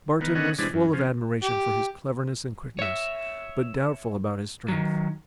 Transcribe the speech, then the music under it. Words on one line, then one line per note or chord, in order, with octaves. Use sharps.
Barton was full of admiration for his cleverness and quickness, but doubtful about his strength.
D#3 B3
D3 B3 C#4 D#5 F#5
C3 E3 G#3 D4
F#2
C#3 F3
G4
C#5 E5
D#3 F#3